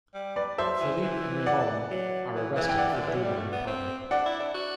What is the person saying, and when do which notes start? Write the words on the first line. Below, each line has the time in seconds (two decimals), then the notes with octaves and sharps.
Felipe and Ramon are arrested for dueling in public.
0.14 G3
0.36 B4 D5
0.58 F#3 C5 E5
0.80 E3
1.02 E3
1.46 D5 F#5
1.90 F#3
2.35 E3
2.56 E3
2.69 G5
2.78 D5 F#5
2.93 C3
3.00 D3
3.08 E3
3.15 F#3
3.23 G3
3.37 A3
3.52 B3
3.67 C4
4.11 D4 D5 F#5
4.26 E4
4.39 D4
4.54 F#4